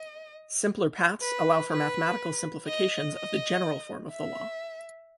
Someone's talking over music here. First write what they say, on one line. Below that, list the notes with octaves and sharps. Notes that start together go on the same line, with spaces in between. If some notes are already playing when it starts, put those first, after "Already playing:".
Simpler paths allow for mathematical simplifications of the general form of the law.
Already playing: D#5
B4
B4
D#5
D#5
E5